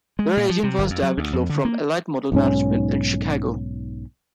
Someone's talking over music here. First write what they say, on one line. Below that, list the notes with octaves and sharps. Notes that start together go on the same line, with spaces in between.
Their agent was David Love from Elite Model Management in Chicago.
G#3
A#2
F3
C3
G1
F2
F#3
D2
F2
D3
A#3
B1 G#2 C#4